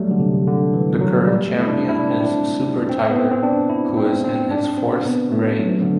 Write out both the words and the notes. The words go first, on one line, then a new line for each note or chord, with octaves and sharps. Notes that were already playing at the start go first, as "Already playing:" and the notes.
The current champion is Super Tiger who is in his fourth reign.
Already playing: F#3 G3 A3
D3
C3
D3
E3
F#3
G3
A3
E4
D4
E4
D4
C4
D4
C4
B3
C4
C4
D4
E4
C4
C4
D4
C4
B3
A3
F#3
D3